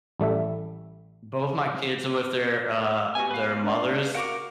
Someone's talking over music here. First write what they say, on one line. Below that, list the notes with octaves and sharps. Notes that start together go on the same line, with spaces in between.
Both my kids are with their, uh, their mothers,
A1 G3 A3 E5
B3 F#4 G4 G#5
B4 F5
D4 D5
F#4 A#4 F5 F#5 D6